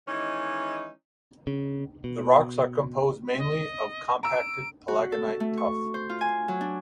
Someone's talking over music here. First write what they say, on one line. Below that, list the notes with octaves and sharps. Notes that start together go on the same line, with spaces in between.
The rocks are composed mainly of compacted palagonite tuff.
D#3 E3 G#3 C#4 D#4 E4
C#3
B2
D#5
A#5 E6 D7
F#4
A4
A3
C#6
C5
F4
G#5
F#3
D4